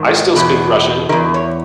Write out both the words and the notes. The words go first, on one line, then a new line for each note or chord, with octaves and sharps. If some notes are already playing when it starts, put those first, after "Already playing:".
I still speak Russian.
Already playing: G#2 D#3
E2 B2
D#3 A#4
E2
C#5